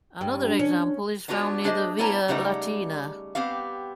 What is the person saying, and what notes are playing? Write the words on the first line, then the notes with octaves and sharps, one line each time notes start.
Another example is found near the Via Latina.
G2
D4
C#4
B3 D4 F4 F#4 B4 C#5
A3 D4 G#4 C5 C#5 D#5
G3 B3 E4 C#5 A5 A#5
C#3 G3 A3 D#4 F#5
B3 C4 G4 F5